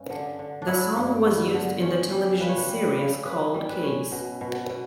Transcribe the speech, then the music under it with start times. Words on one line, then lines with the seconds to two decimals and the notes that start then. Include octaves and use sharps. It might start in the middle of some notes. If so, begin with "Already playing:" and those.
The song was used in the television series "Cold Case".
Already playing: G2 C#4
0.10 D3
0.39 D3
0.62 D4
0.67 F#3 E4
0.97 G2
1.25 B3
1.54 D3
1.82 C#4
2.11 G3
2.40 C#3 B4
2.49 C#5
2.57 B4
2.68 G3
2.84 B4
2.97 C#3
3.26 C#4 B4
3.54 G3
3.69 B4
3.83 C#4
4.12 B2
4.41 B2
4.70 B2